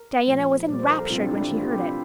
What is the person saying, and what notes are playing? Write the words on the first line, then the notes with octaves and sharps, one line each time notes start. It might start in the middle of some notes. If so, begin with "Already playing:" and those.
Diana was ENRAPTURED when she heard it.
Already playing: A#4
A#2 F3 A3
A#2 G3 A#3 D5
C5
A#4
A4
C3 G3 C4 F4
D4
E4
D4
E4
E3 A3 C4 F4
G4
E4
F4